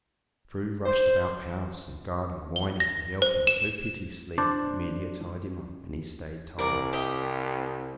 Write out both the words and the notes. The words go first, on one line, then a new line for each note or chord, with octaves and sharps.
But True rushed about the house and garden whining and yelping so piteously that 'Melia tied him up, and he stayed tied up.
C5
G7
A#6
C5
E7
D4 C5 D5
C2 A#4 D5 A#5
G4 D#5 E5